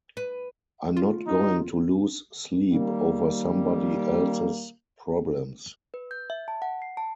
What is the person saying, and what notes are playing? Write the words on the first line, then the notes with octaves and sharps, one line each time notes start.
I'm not going to lose sleep over somebody else's problems.
B4
F4
D#4
D#3 G3 A#3
B4
G6
E5
A5
F#5
C7
A5